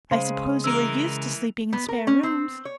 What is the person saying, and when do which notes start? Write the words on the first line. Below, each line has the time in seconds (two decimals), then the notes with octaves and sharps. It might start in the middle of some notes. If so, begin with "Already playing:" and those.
I suppose you are used to sleeping in spare rooms.
0.11 C#3 G#3 C5 F5 C6
0.64 E3 A#4 E6
1.73 B3
1.88 A#4
2.07 C#4
2.23 C4
2.65 C#5